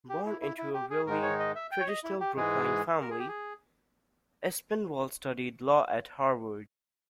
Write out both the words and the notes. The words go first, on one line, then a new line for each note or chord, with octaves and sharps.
Born into a wealthy, traditional Brookline family, Aspinwall studied law at Harvard.
G4
E4
E4
E4
G4
G#4
G#2 D#3 G#3 D#4 A#4
C#5
D#5
E5
G5
C#5
D#5
E4
G4
G#2 E3 G#3 G#4
A#4
G#4
G4
G#4